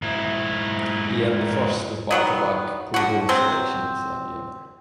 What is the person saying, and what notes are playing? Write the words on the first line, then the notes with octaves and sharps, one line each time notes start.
He earned the first of back-to-back Pro Bowl selections that year.
G#2 E4
D#3 F#3 B3
D3 F#4
C3 F#3 C4